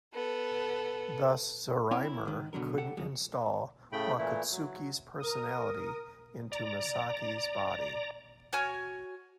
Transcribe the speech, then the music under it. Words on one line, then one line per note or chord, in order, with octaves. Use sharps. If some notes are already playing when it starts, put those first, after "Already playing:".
Thus, Zeorymer couldn't install Wakatsuki's personality into Masaki's body.
B3 A4
C4 E4 C#5 D5 G5 G#5
E4
G#2 D#3
B2 D3 F#3 A#4
G4 A4 F#5
F2 G#3
A2 C#3 A3 G5 B5
A#2 E3 A3 E4
F#3
A#4 D#6
D5 A#5
F#4 C#5 G#5 F6